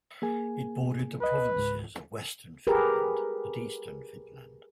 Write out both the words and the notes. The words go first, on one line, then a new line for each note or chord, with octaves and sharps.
It bordered the provinces of Western Finland and Eastern Finland.
A#3 G#4 G#5
C#2 B4 D#5
C#2 G#2
G4 G#4 A#4 B4